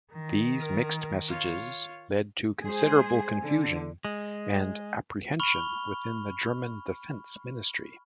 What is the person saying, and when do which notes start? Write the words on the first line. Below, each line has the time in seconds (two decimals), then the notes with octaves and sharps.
These mixed messages led to considerable confusion and apprehension within the German Defence Ministry.
0.14 D#3
0.60 A#4
1.28 F4 C#5
2.61 G#3 G#4 C5 G#5
3.43 D3
4.05 G#3
5.39 B5 C#6 F6 F7 G7